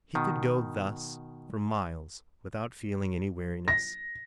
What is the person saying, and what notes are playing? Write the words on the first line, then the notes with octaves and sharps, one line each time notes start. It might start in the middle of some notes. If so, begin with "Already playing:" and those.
He could go thus for miles without feeling any weariness.
B2 D#3
A#6